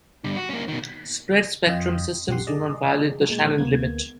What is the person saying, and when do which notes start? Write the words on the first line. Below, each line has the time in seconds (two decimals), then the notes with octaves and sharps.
Spread spectrum systems do not violate the Shannon limit.
0.24 G2 D3
0.37 F#4
0.49 A#3 C#4
0.68 B2 D#3
1.67 F2 F4 D#5 G5
2.29 B1 F#2 G4 F#5 C6
2.47 G#4 D5 D#5
3.30 A#2 G#3
3.58 D2 A#3 B3 G#6